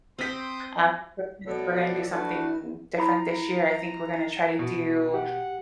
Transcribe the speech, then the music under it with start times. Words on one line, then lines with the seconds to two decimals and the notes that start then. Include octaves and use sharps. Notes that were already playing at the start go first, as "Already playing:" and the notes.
Um, for Christmas, we're gonna do something different this year. I think we're gonna try to do
0.18 C4 C5 G5 D#6 G6 B6
1.47 B2 A3 A4 C#5 D5
2.10 A3 D4 F#4 B4
2.98 E4 A#5 B5
4.59 B2
5.14 G4 F#5